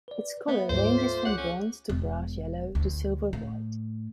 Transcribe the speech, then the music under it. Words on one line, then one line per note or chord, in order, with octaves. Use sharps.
Its color ranges from bronze to brass yellow to silver white.
B4 D5
A#3 B3 B4 E5
D2 G#2 G3 A3 A#3 F4 C5 C#5
B6
C#2 G#4 C#5 F#5 D6 F#6 G6
C#4
E1
D2
A2